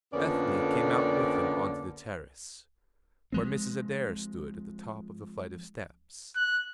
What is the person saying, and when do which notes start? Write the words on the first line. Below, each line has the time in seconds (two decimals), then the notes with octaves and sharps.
Ethne came out with him on to the terrace, where Mrs. Adair stood at the top of the flight of steps.
0.13 F2 D3 A#3 B3 C#4 D5
3.32 F3 G#3 C4
6.36 F#6